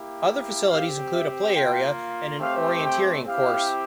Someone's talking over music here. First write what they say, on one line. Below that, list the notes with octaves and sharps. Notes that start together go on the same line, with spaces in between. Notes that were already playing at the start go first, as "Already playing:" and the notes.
Other facilities include a play area and an orienteering course.
Already playing: A#3 E4 G4
C4 G4 F5
E5
A#3 F4 G5
A3 C4 G4 F5
G5
C4 E4 G4 F5